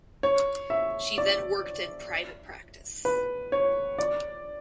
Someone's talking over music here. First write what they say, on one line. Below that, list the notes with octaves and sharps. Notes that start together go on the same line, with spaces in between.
She then worked in private practice.
C#5
E5
D5
B4
C#5
D5